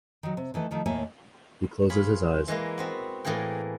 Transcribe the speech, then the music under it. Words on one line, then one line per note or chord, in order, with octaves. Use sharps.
He closes his eyes.
D#3 F#3
C3
D#3 E3 A3 B4
D#3 F3 A3
D#2 A2 A#3 C#5 E5 G#5
F4 G#4 C#5 B5
E3 G#3 A#3 E4
B3 C4 F#4
A2 E3 A#3 G#4 G5